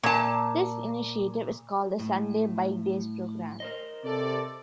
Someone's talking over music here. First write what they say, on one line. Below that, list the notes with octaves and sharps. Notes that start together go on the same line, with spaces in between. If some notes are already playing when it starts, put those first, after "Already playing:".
This initiative is called the Sunday Bikedays Program.
A#2 A5
A2
A#4 C5 D#5
C3 A4 D5